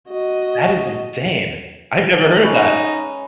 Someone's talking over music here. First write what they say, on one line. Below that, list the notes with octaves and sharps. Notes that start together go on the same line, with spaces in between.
That is insane. I've never heard of that.
F#4 D#5
G#3 C#4 D#4 B4